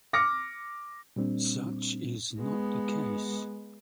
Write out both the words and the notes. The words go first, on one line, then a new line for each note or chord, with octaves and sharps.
Such is not the case.
D6 F6 A#6 C#7
A#2 G3 C4 D4
G#3 B3